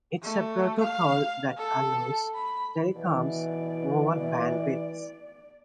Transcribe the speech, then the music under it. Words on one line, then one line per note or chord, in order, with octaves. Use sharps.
It's a protocol that allows telecoms over bandwidths.
A3
F5
A4
B5
B2 E3 D5